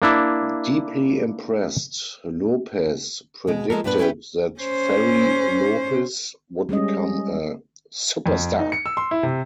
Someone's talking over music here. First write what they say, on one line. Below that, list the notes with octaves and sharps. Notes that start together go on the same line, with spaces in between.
Deeply impressed, Lopez predicted that Ferri Llopis would become a superstar.
A#3 D4 E4
B2 G#3
F3 G#3 A4 A#4
G2 A#2 B3 D4 B4
C#4 E4 B4 G5
C#4 C5
G3 G#3 C#4 D#5
F2
D#4
C#7
E6
C6
E4
C3